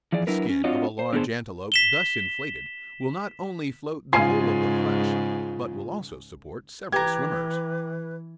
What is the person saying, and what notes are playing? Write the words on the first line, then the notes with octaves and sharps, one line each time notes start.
The skin of a large antelope thus inflated, will not only float the whole of the flesh, but will also support several swimmers.
E3 F3 G#4 D5
F#3 D4 E4 A#4 B4
C#4
C4 D4 F4 F#4 C#5 D#5
C5
D3 B3 G#4 A4 C5
B6 E7 G7
G#2 C#3 F4 G#5 C7
E3 G4 B4 A#5 G#6